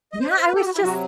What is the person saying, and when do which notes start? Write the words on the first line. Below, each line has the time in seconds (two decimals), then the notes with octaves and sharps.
Yeah, I was just
0.12 D#5
0.21 C5
0.30 D#5
0.38 C5
0.47 B4
0.56 A4
0.60 G4
0.65 F#4
0.74 E4
0.82 C3 F#3 F#4